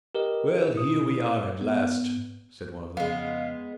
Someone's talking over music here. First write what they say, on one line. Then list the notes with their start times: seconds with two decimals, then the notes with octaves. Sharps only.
"Well, here we are at last," said one of them.
0.15 G4 A#4 B4 D#5
0.74 B2 E4 D#6
1.61 G#2 B3
2.97 F2 C#3 G#3 B3 F5